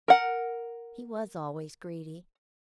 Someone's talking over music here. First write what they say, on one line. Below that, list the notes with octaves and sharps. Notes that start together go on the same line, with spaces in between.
He was always greedy.
A#4 F#5